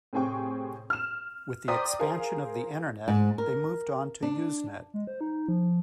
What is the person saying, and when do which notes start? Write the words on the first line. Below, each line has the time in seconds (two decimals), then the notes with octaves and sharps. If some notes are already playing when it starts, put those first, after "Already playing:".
With the expansion of the Internet they moved on to Usenet.
0.13 A2 C3 C4 G#4 G5 C#6
0.90 F6 E7
1.68 C5 D5 G5 A#5 D#6 B6
1.99 G#4 A#4 C5 F5
3.08 G#2
3.38 A#4
4.23 D4
4.94 G#3
5.07 C5
5.21 D#4
5.48 F3